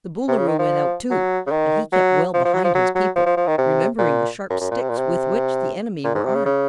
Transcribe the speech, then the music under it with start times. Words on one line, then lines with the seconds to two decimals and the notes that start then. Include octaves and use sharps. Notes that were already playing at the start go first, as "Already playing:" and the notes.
The Boolooroo went out, too, but he kept well behind his people, remembering the sharp sticks with which the enemy were armed.
0.28 C3
0.38 C#3
0.48 D#3
0.59 F3
1.10 F#3
1.46 C#3
1.51 D#3
1.93 F#3
2.34 F3
2.45 F3
2.54 F#3
2.64 F3
2.75 F#3
2.95 F#3
3.16 F3
3.26 F3
3.37 F3
3.47 D#3
3.58 C3
3.98 A#2
4.50 F#2
4.60 F#2
4.71 A#2
4.81 C3
4.90 A#2
4.98 C3
6.04 A#2
6.15 G#2
6.25 C3
6.35 C#3
6.46 C#3